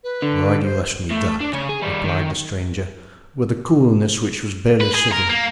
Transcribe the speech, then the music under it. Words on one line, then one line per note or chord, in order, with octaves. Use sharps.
"Why do you ask me that?" replied the stranger, with a coolness which was barely civil.
B4
D3
C5
A2
D4
C#3 C#5
G#4
D#3 G3
D#3
B4
G#4
A#4
A#3